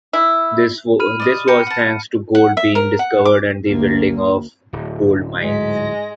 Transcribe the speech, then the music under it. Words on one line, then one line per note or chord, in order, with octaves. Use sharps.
This was thanks to gold being discovered and the building of gold mines.
E4
B5 F6 D#7
D5 D#5 D#6
G4 A#4 G5 C#7
F#5 A5
F#5
E5
A#4
F#5
D6
D2 A#3
D1
G#2 G#3 B6
A#6